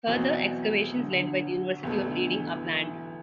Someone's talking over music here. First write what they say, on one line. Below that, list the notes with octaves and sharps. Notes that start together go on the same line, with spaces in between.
Further excavations led by the University of Reading are planned.
B1 B2 E3 F#3 C4
D3
D3
B1 B2 E3 A3
D3
E3
E3
E3